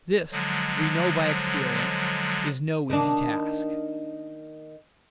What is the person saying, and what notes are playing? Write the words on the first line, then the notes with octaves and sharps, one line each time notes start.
This, we know by experience, is no easy task.
D3 F3 F#3 G#3
D#3 A#3 D4